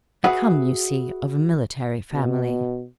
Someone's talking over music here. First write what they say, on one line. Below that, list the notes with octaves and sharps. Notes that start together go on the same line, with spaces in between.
I come, you see, of a military family.'
F#4 G#4 B4 E5 F#5
B2